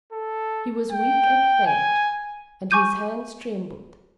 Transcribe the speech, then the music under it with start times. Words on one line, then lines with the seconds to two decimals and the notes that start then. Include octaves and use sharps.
He was weak and faint, and his hands trembled.
0.13 A4
0.92 G5
1.67 G#5
2.71 G#5 C#6 D6 G6 D#7